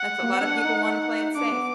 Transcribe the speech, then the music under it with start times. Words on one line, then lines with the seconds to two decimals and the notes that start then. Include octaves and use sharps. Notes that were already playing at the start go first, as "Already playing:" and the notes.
That's a lot of people wanna play it safe.
Already playing: F#5
0.22 A#3
0.32 B3
0.41 D4
0.64 D#4
1.35 D4 D6
1.52 B3